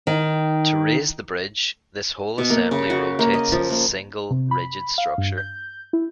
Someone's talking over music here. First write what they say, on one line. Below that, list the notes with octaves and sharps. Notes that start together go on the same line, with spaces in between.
To raise the bridge, this whole assembly rotates as a single, rigid structure.
D#3
B2
A#3
C#3
F#4
A#3
D#5
F3
A#3
C3
B5
F5
G2
G6
E4